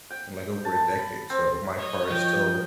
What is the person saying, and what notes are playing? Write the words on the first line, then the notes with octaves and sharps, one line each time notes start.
in, like, over a decade, so my car is still
G5
A5
B5
C4
C#5 D#5
F3 G5